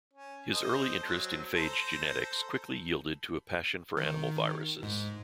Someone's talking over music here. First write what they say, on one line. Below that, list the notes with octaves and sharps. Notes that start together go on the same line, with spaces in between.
His early interest in phage genetics quickly yielded to a passion for animal viruses.
C#4
A4 C5 D#5
F#3 C4
A4 C5 A#5
D#3
G#2